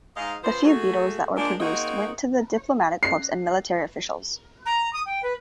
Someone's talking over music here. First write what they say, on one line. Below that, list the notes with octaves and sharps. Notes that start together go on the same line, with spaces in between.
The few Beetles that were produced went to the diplomatic corps and military officials.
G#2 D#5 F5
C#3 F3 B3 C5
A3 F#4 G#4
F3 G#3 A#3 D4
A#3 C4 D#4 F#4 G#4 A#4
C7
A#5
D#6
G5
B4